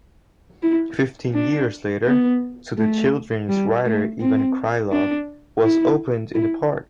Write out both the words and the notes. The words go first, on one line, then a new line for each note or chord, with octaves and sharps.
Fifteen years later, to the children's writer Ivan Krylov was opened in the park.
E4
D4
B3
A3
G3
A3
C4
D4
E4
E4